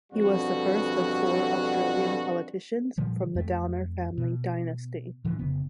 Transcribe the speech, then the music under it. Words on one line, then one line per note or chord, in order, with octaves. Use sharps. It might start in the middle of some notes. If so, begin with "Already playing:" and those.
He was the first of four Australian politicians from the Downer family dynasty.
F2 B2 D3 G3 F#4
A#2 D3 F3 G3
F2 A3
B2
A2 D3 E3 F3
F1 C#3 B3